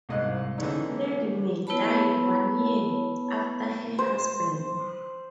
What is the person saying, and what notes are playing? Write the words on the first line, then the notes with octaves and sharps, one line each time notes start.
Lady May died one year after her husband.
C2 G#2 D#5 F5 F#6
D3 E3 G#3 C#4 D#4
B3 E4 B4 C#5 A5 B5
C5